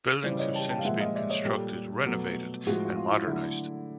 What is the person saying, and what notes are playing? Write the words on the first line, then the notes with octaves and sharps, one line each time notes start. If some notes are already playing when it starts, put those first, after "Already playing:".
Buildings have since been constructed, renovated, and modernized.
C#3 E3 G3 C5 D5
C#5 D#5
G5 A5
G5 A5
F5
A#2 F3 G#3 E5 F#5
D#5 F5
D5 E5
C#5 D#5
A#2 G3 G4 A4
B2 F#3 A3
A2 F3 G#3 F#4 G#4
F#4
F4
E4
D3 F#3 A3 E4